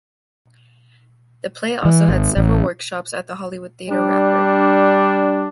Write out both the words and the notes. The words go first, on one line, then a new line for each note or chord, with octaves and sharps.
The play also had several workshops at the Hollywood Theatre Rapport.
E3
G#1
A1
G3 D4